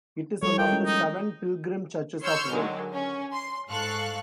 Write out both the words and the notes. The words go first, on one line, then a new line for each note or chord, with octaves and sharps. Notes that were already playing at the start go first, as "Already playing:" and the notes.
It is one of the Seven Pilgrim Churches of Rome.
F3 G3 A4 C#5
E4 A#4 D#5 G5
G#3 C#4
D#4
C#5 C6 C#6 E6 F6 G6
D3 D#3 F#3 G#3
C#4
C6
G#2 A4 F5 C#6 F#6